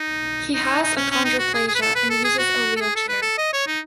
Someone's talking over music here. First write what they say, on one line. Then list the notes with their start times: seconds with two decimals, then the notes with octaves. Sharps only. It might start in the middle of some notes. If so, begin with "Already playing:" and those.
He has achondroplasia and uses a wheelchair.
Already playing: D#4
0.54 D#4
0.83 D#4
0.97 C#4
1.11 C#4
1.25 D#4
1.39 F#4
1.54 G#4
1.68 G#4
1.75 B4
1.82 A4
1.96 B4
2.10 A4
2.24 G#4
2.38 F#4
2.77 A4
2.81 G#4
2.96 A4
3.09 B4
3.22 A4
3.38 D#5
3.53 C#5
3.67 D#4